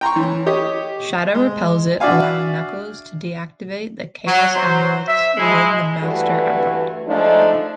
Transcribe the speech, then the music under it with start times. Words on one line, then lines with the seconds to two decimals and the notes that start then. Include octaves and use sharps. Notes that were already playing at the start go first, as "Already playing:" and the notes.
Shadow repels it, allowing Knuckles to deactivate the Chaos Emeralds with the Master Emerald.
0.01 G5 A#5 C6 C#6
0.16 E3 C#4
0.46 G4 C#5 D#5
1.35 G#3
2.00 D4 F#4 D5 E5 F5 G#5
4.26 F#3
4.54 F#3 C5
5.07 E5
5.37 F3 G#3 E4
6.02 D2 G2 E3 A3 F#4 A4
7.08 F3 G#3 A3 D4 D#4